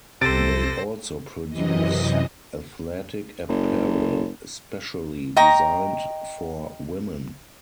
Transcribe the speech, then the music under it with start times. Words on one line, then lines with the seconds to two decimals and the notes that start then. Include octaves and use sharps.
They also produce athletic apparel specially designed for women.
0.21 C2 C3 A4 C5 A6 A#6 D7
1.49 F#2 C3 E3 D#5
3.48 F#1
5.36 D#5 G5 A#5 C#6